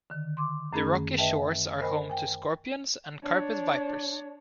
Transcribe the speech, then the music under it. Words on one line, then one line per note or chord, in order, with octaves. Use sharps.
The rocky shores are home to scorpions and carpet vipers.
D3 D#3
C6 D6
F#2 D#3 A3 C#4 G#4 B5
B4 D#5 E5 G5 A5
A#4 C5 D#5 G#5 B5
G5 G#5
D4 C#5